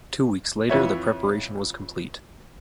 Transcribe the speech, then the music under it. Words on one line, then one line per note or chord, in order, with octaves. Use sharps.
Two weeks later the preparation was complete.
F2 E3 C#5 E5